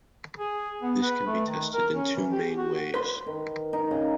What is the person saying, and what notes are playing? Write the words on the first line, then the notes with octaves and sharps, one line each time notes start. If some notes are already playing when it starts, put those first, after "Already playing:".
This can be tested in two main ways.
G#4
B3
B4
A3
D#3
A#4
C#4
E3
G4
F#4
B4 C6
D#3
D#4
C#3